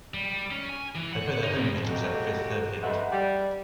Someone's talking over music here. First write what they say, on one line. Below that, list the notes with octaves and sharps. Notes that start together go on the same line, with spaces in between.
They play their home games at Fifth Third Field.
G3
C#4
G#5
E3
F#5
D#4
F2
A#2 C#3 G#3 F#4 G4 A4
D2 G2 G#3 B3 E5 F#5
G3